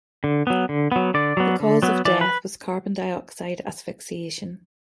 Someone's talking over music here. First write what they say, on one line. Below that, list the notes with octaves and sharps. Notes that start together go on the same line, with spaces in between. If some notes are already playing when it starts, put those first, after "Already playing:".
The cause of death was carbon dioxide asphyxiation.
D3
F#3 B3
D3
F#3 B3
D3 D5
F#3 B3
D3
F#3 B3
E3 D5
B4